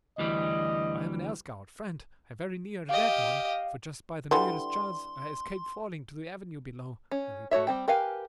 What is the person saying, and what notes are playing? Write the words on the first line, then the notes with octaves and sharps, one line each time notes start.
"I am an air scout, friend, and very near a dead one, for just by the merest chance I escaped falling to the avenue below," I replied.
D2 E3 G3 D#5
G4 D#5 F5
D3 E3 G3 C6
C#4
A3 F#4 C#5 E5
G3 C4 G5
G4 A#4 B4 F5 G#5